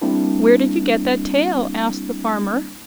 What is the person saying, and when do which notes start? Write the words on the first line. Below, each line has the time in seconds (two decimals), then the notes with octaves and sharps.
"Where did you get that tail?" asked the farmer.
0.02 G3 A#3 C4 D4 E4